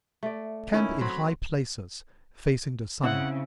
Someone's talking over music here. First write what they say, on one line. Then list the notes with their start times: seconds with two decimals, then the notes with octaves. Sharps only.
Camp in high places, facing the sun.
0.23 A3 D5
0.73 D#3 C#4 E4
1.01 F#3 C4 B5
3.04 C#3 C4 E4 F#5